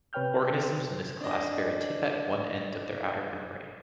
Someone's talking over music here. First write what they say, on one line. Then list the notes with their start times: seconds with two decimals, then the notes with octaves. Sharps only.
Organisms in this class bear a tip at one end of their outer membrane.
0.13 C3 B4 C#5 G5 F6 G6
1.21 D4 D#5